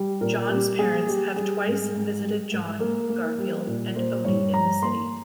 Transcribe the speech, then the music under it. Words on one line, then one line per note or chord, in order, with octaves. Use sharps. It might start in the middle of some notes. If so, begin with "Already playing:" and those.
Jon's parents have twice visited Jon, Garfield, and Odie in the city.
Already playing: G3
A#2 A#4
G3 G4
A#3 G#4
G3 G4
G3 G#4
G#2
G#2
G3
G#2
A#3 A#4
A#3
G3
A#2
A#3 C5
G2 C#5
G2 A#5
A#3 C6